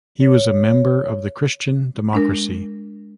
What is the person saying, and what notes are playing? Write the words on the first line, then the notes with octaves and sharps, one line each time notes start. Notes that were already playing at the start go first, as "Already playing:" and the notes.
He was a member of the Christian Democracy.
C#5
G#3 D4 A#4